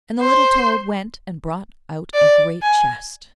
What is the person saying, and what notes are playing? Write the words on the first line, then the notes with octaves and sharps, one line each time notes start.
And the little toad went and brought out a great chest.
C5
D5
G#5